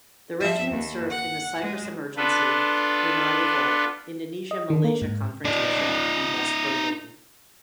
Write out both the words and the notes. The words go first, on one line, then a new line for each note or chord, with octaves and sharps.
The regiment served in the Cyprus Emergency, Brunei Revolt, Indonesia-Malaysia confrontation and West Berlin.
F3 E5
D#2
F#5
G#3
B3 D4 F4 A4 B4
D#5
D#3
A#3
G#2
D#4 D5